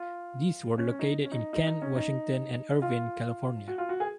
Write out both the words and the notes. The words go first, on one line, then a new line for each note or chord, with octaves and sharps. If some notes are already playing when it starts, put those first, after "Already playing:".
These were located in Kent, Washington and Irvine, California.
Already playing: F4
C#4
C#4
D#4
C#4
D#4
D#4
D#4
C#4
D#4
F4
F#4
F4
F#4
G#4